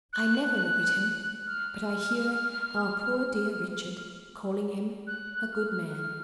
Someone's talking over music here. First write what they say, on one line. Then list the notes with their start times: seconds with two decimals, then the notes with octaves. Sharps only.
I never look at him but I hear our poor dear Richard calling him a good man.
0.13 F#6
0.57 F#6
1.47 F6
5.07 F#6
5.52 F6
5.98 F6